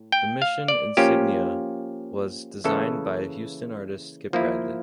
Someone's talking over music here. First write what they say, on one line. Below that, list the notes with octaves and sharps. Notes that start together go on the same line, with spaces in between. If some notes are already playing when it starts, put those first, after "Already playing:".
The mission insignia was designed by Houston artist Skip Bradley.
Already playing: A2
G5
F5
D5
F3 A#3 C#4 F4 G4
C#3 E3 A#3 E4 A4
F3 A#3 E4